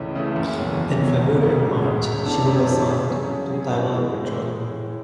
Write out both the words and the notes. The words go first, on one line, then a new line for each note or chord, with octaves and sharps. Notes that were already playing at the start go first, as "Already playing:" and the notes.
In February and March, she was assigned to Taiwan patrol.
Already playing: C#2 C#3 E3 A3 C#4
C#3 E3 A3 C#4
F#1
E2 B2 F#3 C#4
F#1
E2 B2 F#3 C#4
E1
D2 C#3 G#3
E1
D2 C#3 G#3
F#2
E3 B3 D4 A4
F#2
E3 B3 D4 A4
C#3
F#3 C#4 G#4
C#3
F#3 C#4 G#4
A2
E3 G#3
A2